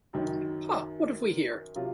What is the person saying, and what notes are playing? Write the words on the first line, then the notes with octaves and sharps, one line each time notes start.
Ha, what have we here!
F#2 D#3 F#3
C3 F#3 F4